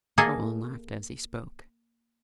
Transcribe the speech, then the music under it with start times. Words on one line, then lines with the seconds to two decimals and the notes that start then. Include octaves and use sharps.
Roland laughed as he spoke.
0.18 A#3 G#4 A4 D#5 G#5